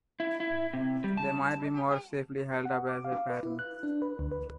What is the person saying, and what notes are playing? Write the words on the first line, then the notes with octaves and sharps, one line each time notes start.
They might be more safely held up as a pattern.
E4
E4
C3
G3
A5
F#5
D6
F5
B4
E4
F#6
D4
B4
D2
B4